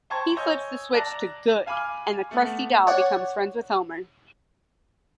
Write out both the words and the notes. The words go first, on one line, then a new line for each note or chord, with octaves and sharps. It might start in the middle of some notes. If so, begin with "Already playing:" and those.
He flips the switch to "Good" and the Krusty doll becomes friends with Homer.
C5 G5 A5 A#5 C#6 G#6
C#5 D#5 G#5 C#6 E6 G6
D5 A5 A#5 D6 F#6 A#6
F5 G#5 B5 D6 F6
A3 B3
C#5 D5 F#5